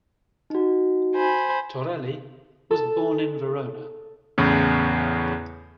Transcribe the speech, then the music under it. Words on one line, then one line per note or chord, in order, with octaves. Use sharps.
Torelli was born in Verona.
D#4 F#4
C5 G#5 B5
A4
E2 A2 C#3